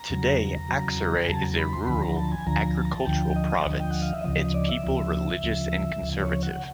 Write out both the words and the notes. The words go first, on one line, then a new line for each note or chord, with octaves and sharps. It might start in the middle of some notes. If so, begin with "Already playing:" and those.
Today Aksaray is a rural, agricultural province, its people religious and conservative.
Already playing: A#5
E2 C#3 F#3
E2 C#3 F#3
G#5
E2 C#3 F#3 A5
A#5
B5
C6
D2 D3 F3 B5
A#5
A5
G#5
D2 D3 F3 A#5
A5
A#5
A5
D2 D3 F3 G5
D#5
D2 D3 F3
G5
F#5
F5
E5
D2 C#3 F3 D#5
D#5
D5
E5
D2 C#3 F3
D2 C#3 F3
D2 C#3 F3
C#5
F#5